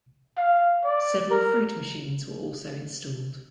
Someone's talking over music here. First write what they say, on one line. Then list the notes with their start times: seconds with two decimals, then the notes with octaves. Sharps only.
Several fruit machines were also installed.
0.37 F5
0.84 D5
1.31 A#4